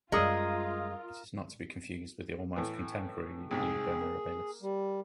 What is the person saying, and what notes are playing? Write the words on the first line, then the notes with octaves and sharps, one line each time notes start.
It is not to be confused with the almost contemporary "Liber mirabilis".
F#2 G3 G#3 F4 A#4 D#6 E6
A2 E3
C2 G#2 C3 G#4
A#3
G3